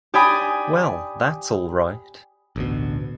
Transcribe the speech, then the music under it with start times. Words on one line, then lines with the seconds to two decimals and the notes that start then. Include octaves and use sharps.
Well that’s all right.
0.14 G4 D5 G5 G#5 B5 D#6
2.56 A1 D2 B2